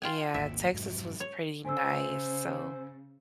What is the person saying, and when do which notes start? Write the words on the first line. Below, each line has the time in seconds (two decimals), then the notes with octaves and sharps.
Yeah, Texas was pretty nice, so
0.02 F4 G5 G#5
0.34 G#1 D#2 A#2 E5
0.73 F1 G#2 F#3
1.20 C#5
1.65 C#3 C5 G#5 E6